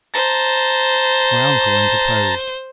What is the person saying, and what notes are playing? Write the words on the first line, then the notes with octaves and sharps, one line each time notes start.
My uncle interposed.
C5 A5 A#5